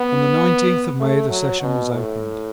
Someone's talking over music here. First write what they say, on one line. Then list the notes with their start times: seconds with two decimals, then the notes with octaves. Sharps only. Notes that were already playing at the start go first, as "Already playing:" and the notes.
On the nineteenth of May the session was opened.
Already playing: B3
1.00 A3
1.29 F#3
1.61 B2
1.92 A2